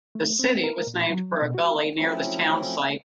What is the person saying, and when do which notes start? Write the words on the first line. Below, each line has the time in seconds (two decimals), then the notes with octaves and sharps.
The city was named for a gully near the town site.
0.15 A3
0.39 C4
0.64 A#4
0.87 A#2
1.10 F#3
1.42 B2
1.55 F#4
1.94 F3 F#3 A3 C4 C#4 E4